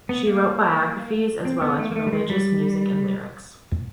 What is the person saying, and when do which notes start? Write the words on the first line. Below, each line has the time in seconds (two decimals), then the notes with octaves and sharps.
She wrote biographies as well as religious music and lyrics.
0.09 B3
0.27 A#3
1.45 C4
1.62 B3
1.79 A3
1.91 A#3
1.96 A3
2.06 G3
2.13 G#3
2.30 G3